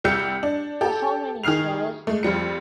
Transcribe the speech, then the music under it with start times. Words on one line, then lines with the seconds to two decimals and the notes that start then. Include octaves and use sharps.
For how many, sir?
0.04 C2 G3 G4 E6 G6 C#7
0.43 D4
0.81 G4 A4
1.43 D#3 G#4 F6 C7 F7
2.07 G#3 A3
2.23 F2 F3 G3 C#7